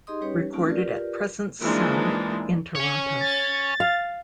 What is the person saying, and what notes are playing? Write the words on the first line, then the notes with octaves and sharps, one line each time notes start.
Recorded at Presence Sound in Toronto.
D#4 G4 G#4 D#5 C6 D#6
G3 C#4 D#4 G4 B4 C#5
A3 C4 C#4 D#4 F4 F#4
F4 G4 A#4 B4 D5
E3 F3 G#3 A#3 D4 D#4
C#5 G#5
A6
F5